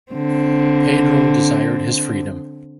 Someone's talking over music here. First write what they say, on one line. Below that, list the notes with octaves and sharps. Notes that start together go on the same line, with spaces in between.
Pedro desired his freedom.
D3 C4